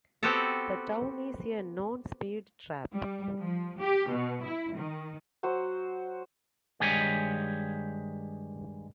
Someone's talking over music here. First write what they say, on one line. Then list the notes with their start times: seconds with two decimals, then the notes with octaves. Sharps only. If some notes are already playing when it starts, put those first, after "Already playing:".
The town is a known speed trap.
0.23 B3 C4 F#4 G4 A4
2.95 G3
3.42 F3
3.80 G4
4.12 B2
4.45 E4
4.76 D#3
5.43 F#3 F#4 C5 F#5
6.80 G2 D#3 G#3 G4 C#5 G#5